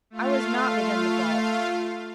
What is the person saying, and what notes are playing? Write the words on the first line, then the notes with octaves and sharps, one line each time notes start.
I was not within the vault.
A3 F4 F5